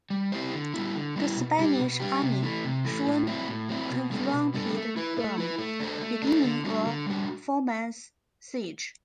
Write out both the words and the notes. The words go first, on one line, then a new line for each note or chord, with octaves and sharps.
The Spanish Army soon confronted them, beginning a four-month siege.
G3
C4 E4 G4 C5
D3
G3 B3 E4
D3
G3 B3 E4
B2
G3 D4 G4
B2
G3 D4 G4
C3
E3 A3
C3
E3 A3
A2
F#3 C4 E4
A2
F#3 C4 E4
B2
G3 B3 D4 A4
B2
G3 B3 D4 A4
A3
E4 B4
A3
E4 B4
A3
D4 A4 C5
A3
D4 A4 C5
D3
G3 D4 F#4
D3
G3 D4 F#4